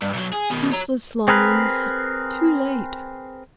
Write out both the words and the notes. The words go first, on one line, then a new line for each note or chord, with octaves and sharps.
Useless longings! Too late!
G2
B1 F#3
G#4
B2 D#3
C#5 A#5
C4 G#4 A#4 B4